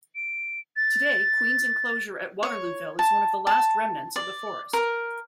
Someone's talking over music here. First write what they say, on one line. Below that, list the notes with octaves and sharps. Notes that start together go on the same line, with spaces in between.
Today Queens Inclosure at Waterlooville is one of the last remnants of the forest.
D7
A6
C#5
A5
A5
D5
A#4